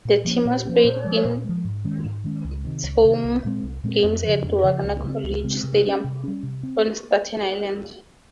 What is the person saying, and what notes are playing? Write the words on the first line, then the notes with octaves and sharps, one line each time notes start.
The team played its home games at Wagner College Stadium on Staten Island.
A#2
F3 A#3 C#4
A#2
F3 A#3 C#4
A#2
F3 G#3
A#2
F3 G#3
G#2
D#3 G#3 C#4
G#2
D#3 G#3 C#4
C#2
C3 D#3
C#2
C3 D#3
C2
A#2 G#3 C4
C2
A#2 G#3 C4
F2
C#3 F3
F2
C#3 F3
C#2
C#3 G#3 C4
C#2
C#3 G#3 C4
C3
G3 C#4
C3
G3 C#4
C3
C4